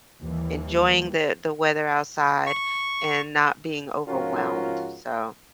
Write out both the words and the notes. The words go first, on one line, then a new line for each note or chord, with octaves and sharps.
enjoying the the weather outside, and not being overwhelmed. So
D#2 E3 G3
C#6
G#2 F3 C#4 F4 F#4 A#4